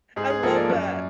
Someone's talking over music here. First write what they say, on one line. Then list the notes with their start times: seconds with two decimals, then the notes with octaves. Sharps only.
I love that.
0.16 G#2 G#4
0.30 G#4
0.43 F3 A#3 A4
0.56 D5
0.70 F#2